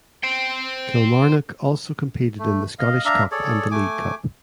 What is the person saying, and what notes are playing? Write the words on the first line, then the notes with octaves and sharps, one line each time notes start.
Kilmarnock also competed in the Scottish Cup and the League Cup.
C5 G5
A3
D#5 F5
D4 E5 F5 A#5
G#4 A4 C#5 D5
A3 G#5 D6